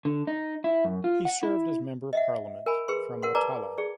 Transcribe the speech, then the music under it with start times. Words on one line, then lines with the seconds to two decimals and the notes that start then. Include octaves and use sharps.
He served as Member of Parliament from the Wattala.
0.05 D3
0.27 D#4
0.64 E4
0.85 F#2
1.04 F4
1.25 F#5
1.43 E4
2.13 D#5 E5 F#5
2.66 A#4 G#5 B5
2.88 G#4 B4 C6
3.22 A#4 F#5 C6
3.35 B4 D5 A5 A#5 D6
3.78 G#4 D5